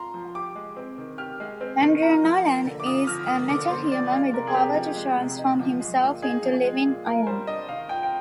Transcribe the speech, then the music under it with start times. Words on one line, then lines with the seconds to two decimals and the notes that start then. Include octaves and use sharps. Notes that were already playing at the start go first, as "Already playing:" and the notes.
Andrew Nolan is a metahuman with the power to transform himself into living iron.
Already playing: F4 A#5 C6
0.14 F3
0.35 G4 D6
0.55 G#3
0.77 C4
0.98 D#3
1.18 G4 F6
1.40 G#3
1.61 C4
1.81 D#3
2.02 F4 A#5
2.24 F3
2.44 A#3
2.65 D3
2.80 D6
2.86 F4 D#6
3.07 F3 F6
3.28 A#3 D#6
3.49 D3 D6
3.70 C4 C6
3.91 F3 D5
4.12 G#3 F5
4.34 C3 A#4
4.47 G#4
4.54 C4 G4
4.75 F3
4.96 G#3
5.17 C3
5.38 D#4
5.59 F3
5.80 G#3
6.01 A#2
6.22 D#4 G#4
6.43 F3
6.64 G#3
6.86 A#2
7.06 F4 A#4
7.27 G3 C5
7.47 D4 D#5
7.69 D#3 F5
7.89 F4 G5
8.03 G5